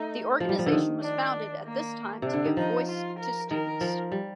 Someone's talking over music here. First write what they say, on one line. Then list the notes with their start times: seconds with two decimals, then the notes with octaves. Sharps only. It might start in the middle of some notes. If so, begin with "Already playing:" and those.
The organisation was founded at this time to give voice to students.
Already playing: A3 D#4
0.40 F3
0.49 G3
0.59 F3
0.66 D3
0.72 D#3
1.02 D4
1.65 A#3
2.22 C3 D4
2.33 D3
2.45 D#3
2.57 F3 D#4
2.89 F4
3.19 A#4
3.51 D#3 A#4
3.81 F3
4.12 G3